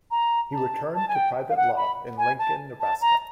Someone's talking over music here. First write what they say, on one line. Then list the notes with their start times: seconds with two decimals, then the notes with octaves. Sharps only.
He returned to private law in Lincoln, Nebraska.
0.11 A#5
0.52 A5
0.95 A5
1.08 G#5
1.15 G5
1.50 F5
1.57 F#5
1.77 B5
2.18 G#5
2.39 A5
2.80 A5
3.01 A#5